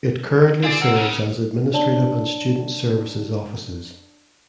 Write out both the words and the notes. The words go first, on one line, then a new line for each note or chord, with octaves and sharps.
It currently serves as administrative and student services offices.
C4 F4 G#4 D5
A#4 F#5 E6
C#3
D4 C#5 D5 A5 F#7 G7